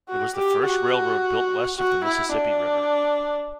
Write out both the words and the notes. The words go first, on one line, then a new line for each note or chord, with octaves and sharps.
It was the first railroad built west of the Mississippi River.
F#4
G4
F#4
F#4
E4
D4